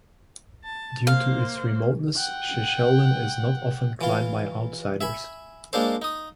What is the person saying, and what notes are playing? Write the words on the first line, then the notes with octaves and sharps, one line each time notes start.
Due to its remoteness Shishaldin is not often climbed by outsiders.
A5
A#3 C5 F5
F#5 G5
E3 F4
E5 G#5 B5
G#3 A#3 D4 A4 C5
D#4 D#6